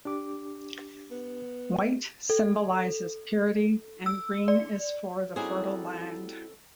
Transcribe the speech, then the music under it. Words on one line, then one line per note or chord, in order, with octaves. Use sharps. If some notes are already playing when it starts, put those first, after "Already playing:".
White symbolizes purity, and green is for the fertile land.
D4 G4 D6
B3
A4
E6
D5
G3 C4 C#4 D#4 E4 F#4 G#4 A4